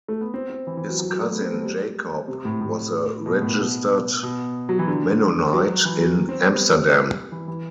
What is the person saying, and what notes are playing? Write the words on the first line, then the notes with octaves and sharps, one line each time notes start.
His cousin Jacob was a registered Mennonite in Amsterdam.
A3
B3
C4
C4
E3
E3
F#3
F#3
F#3
A3
B3
C4
A3
G3
C3
A2
A2
B2
A2
B2
B2
F#3
E3
D3
F#3
E3
F#3
C4
B3
G3
E3
E3